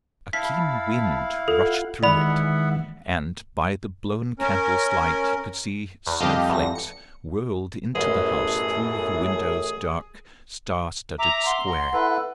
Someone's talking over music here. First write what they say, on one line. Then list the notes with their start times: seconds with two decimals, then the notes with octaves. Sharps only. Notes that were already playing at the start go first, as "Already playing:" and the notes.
A keen wind rushed through it, and by the blown candle's light he could see snowflakes whirled into the house through the window's dark, star-studded square.
0.33 E4 F5 A5 B5 B6
1.48 F4 A4 F#5
2.03 D#3 E3 G#3 B3 D5 E5 F#5 B5
4.39 C#4 A#4
6.07 E2
6.20 F2 G3 G4 D#5 F5
6.50 E2 A#6
6.75 C#7
7.95 A1 F#2 B2 E3 G#4 A4
11.19 E5 A#5 D6
11.46 F#5 C6
11.67 A#5
11.93 E4 A4 B4